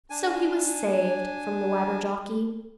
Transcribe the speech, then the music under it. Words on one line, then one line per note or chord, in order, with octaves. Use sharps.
So he was saved from the Wabberjocky.
D4 G#5